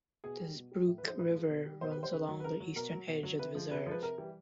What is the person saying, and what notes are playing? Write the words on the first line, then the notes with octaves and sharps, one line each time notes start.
The Zbruch River runs along the eastern edge of the reserve.
B2 G#4
G3
B2
G3
A2
B4
F3 G#3 C5
A2 B4
F3 G#3
B2
G3
B2 C5
B4
G3
C5
C#3 B4
F#3
B4
C#3 A#4
F#3
B2 A#4
F#3
B2
F#3
C3 B4
F3 G#3
C3 B4
F3 G#3 B4
C3 A#4
E3 G3